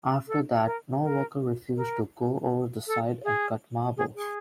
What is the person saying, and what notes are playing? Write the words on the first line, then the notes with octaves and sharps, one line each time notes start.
After that no worker refused to go over the side and cut marble.
A4
A#4
A#4
A#4
A4
G#4
G#4
G#4